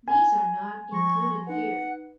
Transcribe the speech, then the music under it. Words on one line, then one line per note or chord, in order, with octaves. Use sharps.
These are not included here.
G#5
F3 C6 C#6 A#6
D#4 B4 F#5